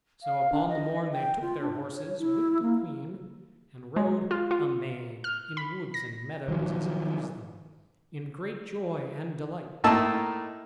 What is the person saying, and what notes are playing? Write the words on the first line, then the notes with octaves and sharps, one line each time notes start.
So upon the morn they took their horses with the queen, and rode a-maying in woods and meadows, as it pleased them, in great joy and delight.
F5
D4
D#5
G5
F4
D4
C#5
E4
A#3
G#3
F4
F4
F6
B5
A#6
D#3 F3 F#3
A2 A3 A#3 D#4 A5 E6